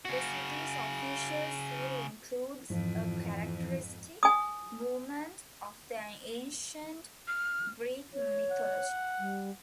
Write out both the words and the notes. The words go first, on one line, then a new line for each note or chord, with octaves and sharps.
The city's official seal includes a characteristic moment of the ancient Greek mythology.
C#3 F#4
F2 G#2 E3 F3
G#5 D#6
F6
C#5
F#5
G3